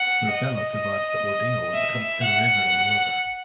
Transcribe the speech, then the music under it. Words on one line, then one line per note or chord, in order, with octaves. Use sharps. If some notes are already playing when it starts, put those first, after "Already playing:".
Murbella survives the ordeal and becomes a Reverend Mother.
Already playing: F#5
D#5
E5
F#5